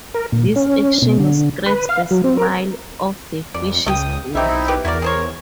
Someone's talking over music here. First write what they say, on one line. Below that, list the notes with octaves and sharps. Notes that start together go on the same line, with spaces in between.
This action scrapes the slime off the fish's body.
A#4
A#2
C#4
B2
D3
B4
F5
F#3
C4
A#4
F2 D5
C#2 A3 G5 D#6
B1 C4 D#4 E4 G4 E5
G4 B4
E2 E4 F#4 A#4 D5
G#4 C5 C#5